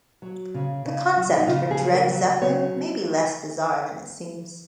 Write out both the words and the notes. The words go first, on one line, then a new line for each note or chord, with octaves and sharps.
The concept for Dread Zeppelin may be less bizarre than it seems.
F#3
C#3
C#3
F#3
D#4
C#3 F4
G#4
F#3
A#4
F#3
C#3 C#5